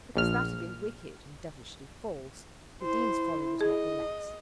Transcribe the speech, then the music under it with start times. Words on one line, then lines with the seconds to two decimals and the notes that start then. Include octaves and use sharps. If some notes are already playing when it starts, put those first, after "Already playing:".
Because that had been wicked and devilishly false, the Dean's folly was not the less.
0.16 A#1 F6
2.82 E4 C5
3.61 G#4 D#5